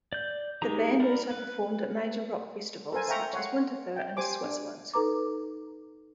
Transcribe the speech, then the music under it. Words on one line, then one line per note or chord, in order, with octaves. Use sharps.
The band also performed at major rock festivals such as Winterthur in Switzerland.
D5 G6
G#3 D#4 G4 G#4 A#5
A#4 D5 A#5 B5
B4
A4 A#4 C5 G#5
C5 E5 F5 G5 A#5 C#6
C#5 F#5 C6
G5
G4 C5 G#5 D6
D4
D#4 A4 B4 A#5 D6